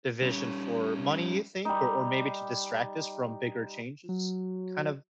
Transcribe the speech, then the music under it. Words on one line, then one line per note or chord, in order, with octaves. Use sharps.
division for money, you think, or or maybe to distract us from bigger changes, kind of
G3 C#4
G3 D#4
F#3